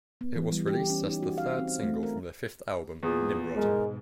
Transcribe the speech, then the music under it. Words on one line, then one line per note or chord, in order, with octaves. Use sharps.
It was released as the third single from their fifth album, "Nimrod".
B3
E3
G3
G4
C#4
D#4
F#4
F5
C4
A3
A#4
E2 A#2 G#4
G#2 B2 G#3 A#4